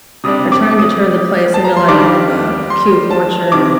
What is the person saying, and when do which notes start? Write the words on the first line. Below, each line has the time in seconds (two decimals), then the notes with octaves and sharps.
are trying to turn the place into like more of a cute orchard.
0.24 C3 G3 D4 D#6
0.52 D6
0.79 D#6
1.54 A5
1.64 A#5
1.77 C6
1.88 D#3 G3 D4 D6
2.70 C6
3.11 A5
3.52 C3 D#3 D6